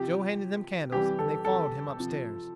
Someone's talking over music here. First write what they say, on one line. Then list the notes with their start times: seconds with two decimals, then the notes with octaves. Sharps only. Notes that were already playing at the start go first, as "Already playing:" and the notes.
Joe handed them candles and they followed him upstairs.
Already playing: C3 F3 G4
0.92 C3 E3 G3 G4
1.19 A4
1.45 A4
1.96 C3 F3